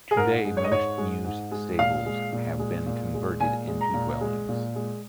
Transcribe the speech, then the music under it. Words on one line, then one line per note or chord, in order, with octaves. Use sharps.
Today most mews stables have been converted into dwellings.
G#4
G#2 A#4
G#3
C#5
D#5
G#2 C#5
G#3
G#2
G#3
A#2 F5
G#3
A#2
G#3
A#2
G#3
A#2 G#5
G#3
A#5
A#2
G#3
A#2
G#3